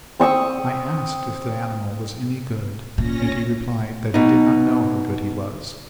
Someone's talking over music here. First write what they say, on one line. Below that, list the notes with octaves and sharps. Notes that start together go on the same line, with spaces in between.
I asked if the animal was any good and he replied that he did not know how good he was.
C4 C#6 D#6 E6
A#2 C#4 A#6
B2 D#4